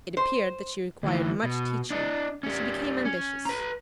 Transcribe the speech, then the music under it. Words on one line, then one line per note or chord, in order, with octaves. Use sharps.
It appeared that she required much teaching, and she became ambitious.
C5
D2 E3
B2
D4 D#5
G3 C#4
C#4
B4 A#5